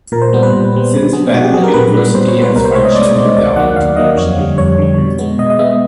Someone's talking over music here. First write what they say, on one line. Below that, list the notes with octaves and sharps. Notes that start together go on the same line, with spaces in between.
Since then the university has functioned without interruption.
A#2 A#4
C5
G3 B3
B4
A#2
G3 B3
B2
F#3 B3 G#4
B2 F#4
G4
F#3 B3 G#4
A#4
A#2 B4
G3 B3
A#2 C5
C#5
G3 B3
B4
C2 A#4
C5
B2 G#3 B3 C#5
D#5
C2 D5
B2 G#3 B3 C#5
D#2 D5
D#3 F#3 A#3 F#5
D#2 F5
D#3 F#3 A#3 D#5
F2 C#5
D3 G3
F2 C#5
D3 G3
B2
G#3 B3
B2 D#5
D#5
G#3 B3 E5